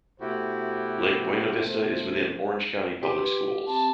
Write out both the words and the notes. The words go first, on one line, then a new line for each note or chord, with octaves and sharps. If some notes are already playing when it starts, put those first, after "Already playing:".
Lake Buena Vista is within Orange County Public Schools.
B2 A3 E4 F#4 G4 C5
G4 B4 C6
C4 A5